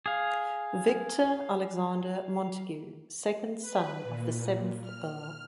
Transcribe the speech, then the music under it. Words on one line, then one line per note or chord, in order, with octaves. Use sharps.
Victor Alexander Montagu, second son of the seventh Earl.
G#4 F5
B4
A#2
F6